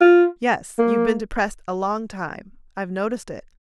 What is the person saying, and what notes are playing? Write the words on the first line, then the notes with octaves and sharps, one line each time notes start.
"Yes, you've been depressed a long time, I've noticed it."
F4
A#3